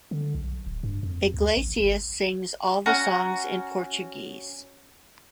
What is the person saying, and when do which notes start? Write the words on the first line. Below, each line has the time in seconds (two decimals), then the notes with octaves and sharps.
Iglesias sings all the songs in Portuguese.
0.11 D3
0.35 B1
0.66 D1
0.83 G2
1.03 F2
1.34 D2
1.57 A1
1.80 G1
2.86 C#4 F#4 A#5